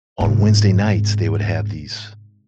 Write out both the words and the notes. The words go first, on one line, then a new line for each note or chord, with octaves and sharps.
On Wednesday nights, they would have these
G#2 C3